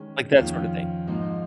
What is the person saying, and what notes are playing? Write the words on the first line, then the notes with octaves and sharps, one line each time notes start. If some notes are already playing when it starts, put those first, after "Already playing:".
like, that sorta thing,
Already playing: D#3 G#3 C#4
F2 D#3 A#3 C#4 F4
G#2 F3 A#3 D#4